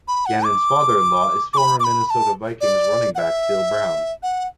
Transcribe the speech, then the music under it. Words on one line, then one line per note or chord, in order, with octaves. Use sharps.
Gannon's father-in-law is former Minnesota Vikings running back Bill Brown.
B5
F#5
D6
D6
B5
D6
B5
B5
A5
D5
F#5
E5
F#5